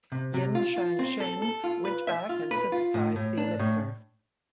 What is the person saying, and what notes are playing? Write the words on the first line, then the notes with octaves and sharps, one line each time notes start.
Yin Changsheng went back and synthesized the elixir.
C3
C3
F4
F4
C4
A4
A4
F4
B4
E5
F4
B4
F4
A2
A2
D4
A2